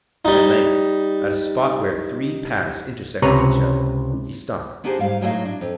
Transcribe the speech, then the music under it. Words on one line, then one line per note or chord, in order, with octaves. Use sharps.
At length, at a spot where three paths intersected each other, he stopped.
G3 D#4
C#2 C3 B4 C#5 A#5
B3 D4 D#4 G4 G#4 C5
G#2 G3 F5
A2 F#3 D#4 G#4 D#5 F5
D4
F2